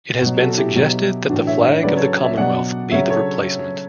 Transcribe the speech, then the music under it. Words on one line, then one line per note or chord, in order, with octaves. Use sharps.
It has been suggested that the Flag of the Commonwealth be the replacement.
B2 F#3
F#4 A4
E4 G4
B2 F#3
A2 E3 D4 F#4
C#5 E5
C#5 E5
C#3 F#3 B4 D5
A4 C#5
C#5 E5
B2 F#3 D5 F#5
C#3 F#3 C#5 E5
A4 C#5